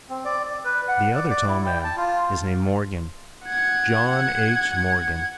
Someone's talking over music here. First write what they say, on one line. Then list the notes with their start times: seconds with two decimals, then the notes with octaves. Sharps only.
The other tall man is named Morgan, John H. Morgan.
0.10 C4
0.25 D5
0.45 D5
0.64 B4
0.88 F#5
1.16 D5
1.30 D5
1.46 E4
1.66 G5
1.84 A5
1.97 F4
3.45 F#5 G#6